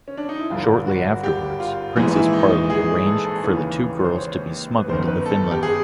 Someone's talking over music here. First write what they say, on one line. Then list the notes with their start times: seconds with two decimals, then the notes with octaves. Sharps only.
Shortly afterwards, Princess Paley arranged for the two girls to be smuggled into Finland.
0.08 C#4
0.17 D4
0.29 D#4
0.39 E4
0.50 G#1 G2 D3 F4
0.87 F#4
1.24 G4
1.60 F4
1.96 A#1 G#2 E3
2.15 E4
2.33 D#4
2.70 G#4
3.06 A4
3.25 A4
3.43 D#2 C#3 E3
4.04 C5
4.15 C#5
4.78 B4
4.89 G1 F#2 D#3 C5
5.07 B4
5.26 A4
5.51 G4
5.63 G#4